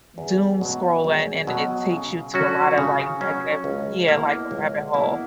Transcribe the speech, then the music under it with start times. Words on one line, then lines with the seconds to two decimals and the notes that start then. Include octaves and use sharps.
doomscrolling and it takes you to a lotta, like, negative, yeah, like, a rabbit hole,
0.18 E2
0.61 B2 F#3
1.04 E2
1.47 B2 F#3
1.91 C#3
2.34 F#3 C#4 F#4
2.78 C#3
3.21 F#3 C#4 F#4
3.64 C#2
4.08 B2 A#3 E4
4.51 C#2
4.94 B2 A#3 E4